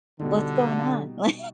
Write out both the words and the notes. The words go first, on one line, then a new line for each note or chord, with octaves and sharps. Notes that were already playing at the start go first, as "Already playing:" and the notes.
"What's going on?" Like
B2 D3 G3 D#4